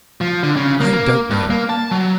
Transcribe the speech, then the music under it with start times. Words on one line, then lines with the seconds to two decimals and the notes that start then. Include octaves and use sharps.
I don't know.
0.21 F3
0.43 D3
0.56 C#3
0.81 A#3
0.94 A#3
1.30 G2
1.50 A#3
1.70 A5
1.91 F#3